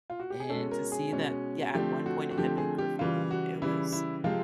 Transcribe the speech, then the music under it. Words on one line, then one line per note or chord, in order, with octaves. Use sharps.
and to see that Yeah, at one point, it had been graffitied, it was
F4
F#4
G4
G#4
B2 G#3 C#4 A4
A#4
G#4
B2 G#3 C#4
D3 F3 A3 C4 G4
F#4
F#4
D3 F3 A3 C4 G4
G#4
G4
C#3 E3 G3 F4
F#4
C#3 E3 G3 E4
E4
C3 F3 G#3 C4 F4